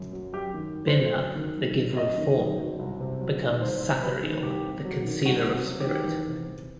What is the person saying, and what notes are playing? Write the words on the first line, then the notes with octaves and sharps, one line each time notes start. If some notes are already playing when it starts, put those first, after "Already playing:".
Binah, the giver of form, becomes Sathariel, the concealer of spirit.
Already playing: F#2
F#3
F#2 G4
D#3
F#2
C5
F#3
F#2
D#3
F#2
F#3
F#2 D#5
D#3
F#2
F#3
C2
C3
F#3
D#3
C2 C5
C3
F#3 B4
D#3
C2 G4
C3
F#3
D#3
C2 F#4
C3
F#4
F#3
G4
D#3
E2
C3
E2